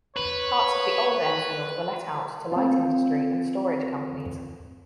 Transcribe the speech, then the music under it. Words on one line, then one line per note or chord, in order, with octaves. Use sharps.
Parts of the old airfield were let out to light industry and storage companies.
B4 C#5
C4 F4